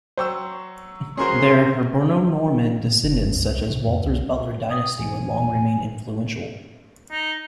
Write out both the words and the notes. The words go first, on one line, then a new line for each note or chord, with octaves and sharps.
Their Hiberno-Norman descendants, such as Walter's Butler dynasty, would long remain influential.
F#3 C5 G5 C#6 E6
C#4 F#4 G#4 A#4 C5 C6
A2
F#1
G2
C#2
C2
C3
F2
C2
B2 D#6
E1 B1 E3 G#5
D#4